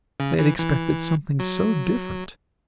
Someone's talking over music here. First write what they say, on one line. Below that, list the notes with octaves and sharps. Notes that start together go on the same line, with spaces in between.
They had expected something so different.
C#3
E3
E3
F#3